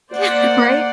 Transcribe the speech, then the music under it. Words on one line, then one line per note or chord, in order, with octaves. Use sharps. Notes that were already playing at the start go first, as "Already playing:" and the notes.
Yeah, right?
A#3 C5 D5 F#5